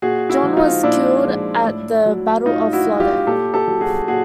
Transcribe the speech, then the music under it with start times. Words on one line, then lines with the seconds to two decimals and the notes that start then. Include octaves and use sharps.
John was killed at the Battle of Flodden.
0.02 A#2 F#4 G#4
0.30 E4 F#4
0.43 F3 G#3
0.57 D#4 F4
0.83 A#2 D4 E4
1.24 F3 G#3
1.65 A2
2.06 F#3
2.46 A2 D#4 F4
2.73 E4 F#4
2.86 F#3
3.00 F4 G4
3.27 A#2 G4 A4
3.54 G4 A4
3.68 F#3
3.81 F#4 G#4
4.08 A#2 F#4 G#4